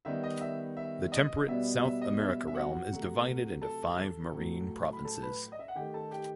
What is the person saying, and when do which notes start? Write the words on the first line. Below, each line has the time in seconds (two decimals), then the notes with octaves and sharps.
The Temperate South America realm is divided into five marine provinces.
0.05 D#3 G3 B3 E5
0.23 D#5
0.41 E5
0.77 E5
1.12 D#5
1.47 B2 G3 B3 E5
1.84 E5
2.01 D#5
2.20 E5
2.47 E5
2.55 F#4 F#5
2.91 C3 F#3 A3
3.62 A4 A5
4.33 A2 F#3 A3
4.93 B5
5.05 A4 A5
5.23 B4 B5
5.52 D#5
5.59 E5
5.68 F#5
5.75 D#3 A3 G4 G5
5.94 A4 A5
6.11 G4 G5